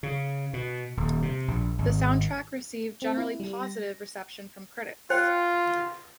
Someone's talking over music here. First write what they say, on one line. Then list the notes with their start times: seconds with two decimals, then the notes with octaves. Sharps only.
The soundtrack received generally positive reception from critics.
0.03 C#3
0.53 B2
0.97 D#1
1.22 C3
1.48 A#1
1.79 G#1
3.02 C4
3.18 E4
3.40 G3
3.63 A#6
5.10 F4 C5 G5